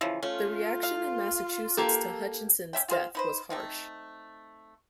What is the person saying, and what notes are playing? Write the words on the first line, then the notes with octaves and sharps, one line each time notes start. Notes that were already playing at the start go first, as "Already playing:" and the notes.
The reaction in Massachusetts to Hutchinson's death was harsh.
C#3 E3 F3
A3 C#4 F4
F5
A#3 G4 A4
C#4 D4 E5 G5
F4 G#4 C5 F5
D#4 B4 C5
A3 C4 D#4